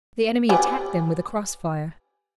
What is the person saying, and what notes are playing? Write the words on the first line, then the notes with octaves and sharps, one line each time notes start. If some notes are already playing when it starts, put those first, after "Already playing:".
The enemy attacked them with a cross-fire.
G4 B4 G#5